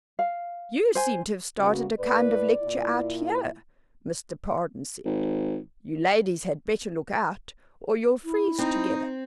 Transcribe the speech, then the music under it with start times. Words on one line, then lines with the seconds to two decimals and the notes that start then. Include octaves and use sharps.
"You seem to have started a kind of lecture out here," Mr. Pardon said. "You ladies had better look out, or you'll freeze together!"
0.19 F5
0.95 C5 G#5
1.59 C#3 A#3 B3 F#4
1.99 A2 B4 D5
2.63 A#2 E4
5.05 G#1
8.25 E4
8.59 C4 D#4